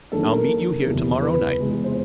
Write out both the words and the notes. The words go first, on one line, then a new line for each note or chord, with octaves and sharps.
I'll meet you here to-morrow night.
F#2 D#3 F#3 A#3 D4 A4
A#4
F#1 E2 C3 E3 G3
B4
E2 C3 F3 G#3 B3
C5